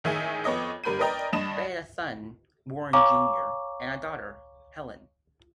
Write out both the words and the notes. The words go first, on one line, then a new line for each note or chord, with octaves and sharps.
They had a son, Warren Junior and a daughter, Helen.
A1 D#3 G#4 E5 G#5 G#6
F2 B3 C#5 D#5 D6
G1 G3 A#4 B5 G6 D#7
A#4 B4 D5 D#5 G5 A#5
G2 D4 D#5 B5 E7
C#5 F5 G#5 A#5 C#6 D6